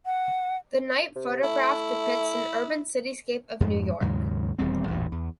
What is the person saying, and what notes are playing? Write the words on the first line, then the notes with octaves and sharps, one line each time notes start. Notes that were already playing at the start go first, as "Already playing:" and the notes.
The night photograph depicts an urban cityscape of New York.
F#5
C3
A3 E4
F2 G#2
D#2 G#2 C#3 F#3
D#1 E2 G3 C4
A1 E2 G2 A#2
E2